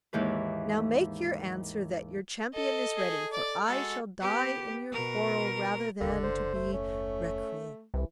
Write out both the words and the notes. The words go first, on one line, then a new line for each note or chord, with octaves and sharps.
NOW make your answer that your champion is ready, for I shall die in your quarrel rather than to be recreant.
D#2 G#2 D#3 E3 B4
A4 D#5
G#4
D5 D6
G#3 F#4 A4
B3 G4
B2 A#4
F#1 D#2 D3 A#3
C5
A3
C#4
C2 E3